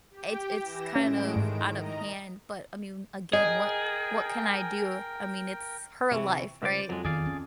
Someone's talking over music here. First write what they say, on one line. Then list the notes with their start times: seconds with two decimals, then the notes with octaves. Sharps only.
it's it's kind of out of hand, but I mean, again, what what can I do? I mean, it's her life, right?
0.10 G4 G5
0.60 E3 A#6 E7
0.96 A2 G#3 C#4 D7
1.36 G#2 D#3
1.73 D#5 A#5
3.33 G#4 A#4 D#5 G5
6.12 C3 E3 E5 C#6
6.63 C#2 C5 D5
6.89 F2 F#3 G#3
7.05 E2 D#3 G#4 D5 F5
7.26 C#4